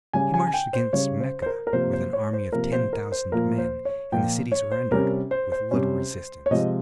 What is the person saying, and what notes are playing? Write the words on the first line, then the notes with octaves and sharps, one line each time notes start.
He marched against Mecca with an army of ten thousand men, and the city surrendered with little resistance.
C#3 G3 C#4 G#5
G#5
G#5
G5
C5
C#3 G3 C#4 C#5
C5
C5
A#4
A#4
C3 F3 A#3 C5
C5
C#5
C5
C3 F3 A#3 A#4
C5
A#4
C5
A#2 F3 A#3 A#4
C5
C#5
A#2 F3 A#3 G5
C#5
C5
C3 G3 C#4 A#4
C5
C5
C3 G3 C#4
C#5
C3 F3 G#3 D#5